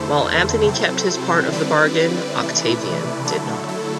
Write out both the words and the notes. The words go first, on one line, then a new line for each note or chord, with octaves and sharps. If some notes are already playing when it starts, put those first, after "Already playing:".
While Antony kept his part of the bargain, Octavian did not.
Already playing: E2 D3 A3 E4 A4 C5
C3 F#3 C4 E4
D3 G3 C4 E4 B4 D5
C3 E3 A3 E4
D3 F#3 A3 E4 A4
A4